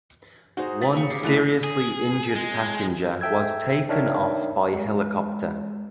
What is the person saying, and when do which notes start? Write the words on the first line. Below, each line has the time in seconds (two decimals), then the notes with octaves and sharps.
One seriously injured passenger was taken off by helicopter.
0.57 D#4 F#4 G#4 C5
0.81 G#4 A#4 A6 B6 F#7
0.93 A#3 C#6
1.10 G4 C7
1.23 A#1 A3 E4 G#4 F#6 F7
1.64 G#4
2.35 G#3
3.21 A4 E5 G5 E6 G#6
3.89 D4 D#4 A#4 C#5 E5 G5
4.73 G#3